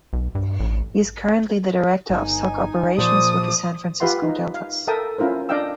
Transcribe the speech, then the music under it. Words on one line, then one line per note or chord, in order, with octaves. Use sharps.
He is currently the Director of Soccer Operations with the San Francisco Deltas.
B1
G2
A1
G1 D#4 G#5
A#2 F3 C5 D5 A5 D#6
F4 G4 B4 E5 F#5 C6
D#4
F5
A4 A#4 E5 G5 A5 D#6
C#4 E4 F4 A#4 C5
D4 D5 D#5 F5 G5 E6